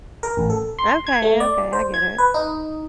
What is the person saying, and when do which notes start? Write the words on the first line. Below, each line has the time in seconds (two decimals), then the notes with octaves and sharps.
Okay, okay, I get it.
0.23 A#4
0.37 A1
0.50 A4
0.79 C6
1.07 G#6
1.22 A3
1.40 D5
1.73 C5
1.94 G#6
2.18 B4
2.34 D#4